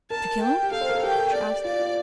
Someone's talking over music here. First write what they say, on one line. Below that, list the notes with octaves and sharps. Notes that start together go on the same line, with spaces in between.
"Did you kill him?" she asked.
A#4 A5
G5
G4
A4 F5
C5
A#4
A4
G4 G5
D5
F4 D5
F4